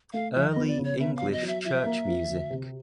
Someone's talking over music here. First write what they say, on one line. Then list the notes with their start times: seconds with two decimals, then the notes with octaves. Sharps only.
Early English Church Music.
0.13 A3 F5
0.35 F2 E5
0.52 B3 D#5
0.67 D5
0.78 C#3
0.84 C#5
1.00 B3 E5
1.16 F5
1.22 F#3
1.33 D#5
1.42 F#3
1.48 E5
1.64 F3 E5
1.86 A#3
2.07 F3
2.29 D2
2.50 C3